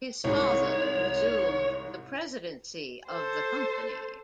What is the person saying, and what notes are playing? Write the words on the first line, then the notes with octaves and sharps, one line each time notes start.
His father resumed the presidency of the company.
C2 G#2 C#5
A4 C5